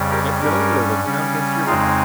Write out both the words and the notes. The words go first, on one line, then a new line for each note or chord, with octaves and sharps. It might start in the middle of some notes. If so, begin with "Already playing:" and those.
"Get going or it'll count against your mark!"
Already playing: F2 C#3 G3
G4 A#4
G2 G3 C#4 G4 A#4
C#3 G3 C#4
F2 C#3 G#3 C4 D#4 F4